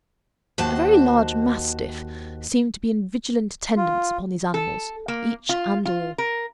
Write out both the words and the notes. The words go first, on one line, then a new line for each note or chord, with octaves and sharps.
A very large mastiff seemed to be in vigilant attendance upon these animals, each and all.
D#2 D#3 F#4 C5 A5
F4
A4
A#3
F4
F4
A#4